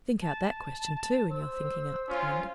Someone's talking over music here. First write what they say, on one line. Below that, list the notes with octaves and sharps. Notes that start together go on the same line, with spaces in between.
"Think out that question, too, in your thinking out, Clorinda."
A5
C5 E6
C#4 F4